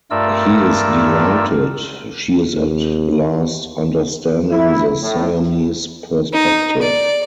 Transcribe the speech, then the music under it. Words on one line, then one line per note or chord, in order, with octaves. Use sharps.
He is delighted; she is at last understanding the Siamese perspective.
G2 A3 F4 A#4 D5 E6
D#2
E4
A2
D#4
D5